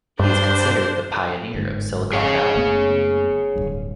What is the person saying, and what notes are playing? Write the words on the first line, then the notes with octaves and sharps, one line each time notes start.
He is considered the pioneer of Silicon Valley.
G2 D4 C5
G1 G#2
G#4 C#5 F5
F#1 A3 B3
D1 G#1 G2